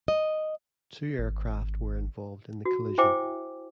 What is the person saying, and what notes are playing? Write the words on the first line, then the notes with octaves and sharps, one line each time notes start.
Two aircraft were involved in the collision.
D#5
G#1
F#4
E4 C5 E5 G5 G#5 D6